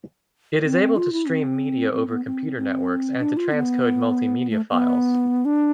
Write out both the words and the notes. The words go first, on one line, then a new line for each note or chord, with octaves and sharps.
It is able to stream media over computer networks and to transcode multimedia files.
C4
F4
E4
C4
C4
B3
C4
C4
D4
F4
B3
A3
B3
D4